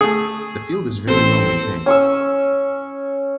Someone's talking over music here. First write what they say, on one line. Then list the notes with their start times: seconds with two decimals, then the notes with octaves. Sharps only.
The field is very well maintained.
0.01 A3 G#4
1.07 A1 C4 A4 C5
1.86 C#4 C#6 E6